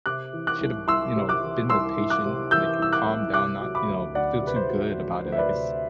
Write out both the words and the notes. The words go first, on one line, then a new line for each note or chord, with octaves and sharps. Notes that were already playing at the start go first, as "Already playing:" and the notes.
should’ve, you know, been more patient, like, calm down, not you know, feel too good about it, I guess,
C3 D6 F#6
E3
D6 F#6
C2
C2 C6 E6
C3
D6 F#6
E3
C2 C6 E6
C2
D6 F#6
C3
E3 E6 G6
C2 E6
D6 F#6
C2
C3 D6 F#6
F#3
B5 D6
D2
D2 D5 F#5
C3 B4
C5
F#3
D2
D2
E5
B4 D5
C3